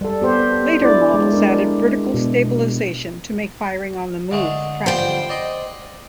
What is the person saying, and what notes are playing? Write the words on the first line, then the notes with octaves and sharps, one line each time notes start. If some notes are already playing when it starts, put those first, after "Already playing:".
Later models added vertical stabilization to make firing on the move practical.
G3 A4
B3 G4 C5
D4 E4 D5
G#3
D4 A#4
B2
D3 G#3 A3
D3 F3 G3 C5 G5
D5 D#5 C6